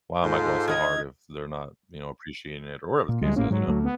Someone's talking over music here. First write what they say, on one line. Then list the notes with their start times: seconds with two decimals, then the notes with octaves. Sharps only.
"Why am I going so hard if they're not, you know, appreciating it," or whatever the case is, you know?
0.24 G#2 F4 A4 C5
0.68 D#3 D#4 D#5 G#6
3.09 A#2
3.22 D2 G3 G#3
3.36 A1 A2 A#3 C#4
3.51 G#2 F#3
3.68 D2 A3
3.84 B3